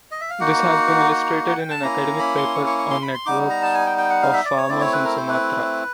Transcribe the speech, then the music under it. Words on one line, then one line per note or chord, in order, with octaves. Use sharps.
This has been illustrated in an academic paper on networks of farmers in Sumatra.
D#5
E5
F5
A#3 D#4 F#4 F#5
F#5
F#5
G5
A5
A#3 C#4 E4 A#5
B5
C6
C#6
C#6
C#6
C6
B5
C6
G3 B3 D#4 D6
A#5
A5
G#5
G5
G5
F#5
F5
E5
D5
C#5
A3 C4 E4 D5
C#5
B4
A#4
C5
B4